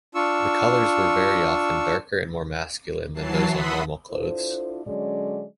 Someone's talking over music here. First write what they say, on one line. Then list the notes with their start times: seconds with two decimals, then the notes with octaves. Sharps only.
The colours were very often darker and more masculine than those on normal clothes.
0.15 D4 F4 C#6 E6
3.14 E3 F#3 A5 C7
3.49 E5 F#5 B5 C6 D#6 B6
4.10 D4 E4 F4 A4 C5
4.86 D3 F#3 G#3 C#4 D5